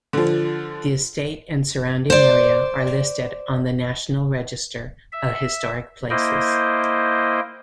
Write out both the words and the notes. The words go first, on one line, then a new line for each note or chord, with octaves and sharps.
The estate and surrounding area are listed on the National Register of Historic Places.
D3 F3
C5 D5
E5
A#3 E4 C5 D#5 G5